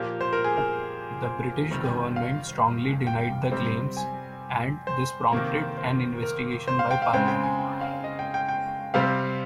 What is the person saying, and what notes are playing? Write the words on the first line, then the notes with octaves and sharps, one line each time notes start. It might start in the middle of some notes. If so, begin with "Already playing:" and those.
The British Government strongly denied the claims and this prompted an investigation by Parliament.
Already playing: A#2 F3 A#3 G4
C5
A#4
G#4
A#4
C5
C3 D#3 G3
F5
G5
C3 G3 C4
G#5
C5
C3 D#3 A#3
C5
A#4
C5
F5
G5
F5
C#3 G#3 C4 G5
G5
G#5
G5
F5
D#5
G5
G5
G5
C3 G3 C4 F5